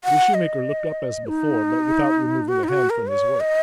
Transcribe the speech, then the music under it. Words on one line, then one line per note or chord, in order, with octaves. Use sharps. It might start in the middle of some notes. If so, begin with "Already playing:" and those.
The shoemaker looked up as before, but without removing a hand from his work.
F#5
D#5
D#4
F#4
D#4
F#4
A#4
C#5
D#5